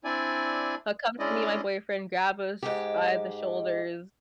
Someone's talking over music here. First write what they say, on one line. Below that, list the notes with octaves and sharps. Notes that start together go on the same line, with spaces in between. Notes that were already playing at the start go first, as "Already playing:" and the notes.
he'll come to me and my boyfriend, grab us by the shoulders,
C4 D4 E4 D5 G#5
G#3 C#4 D4 E4 D5 D#5
G#2 G#3 G4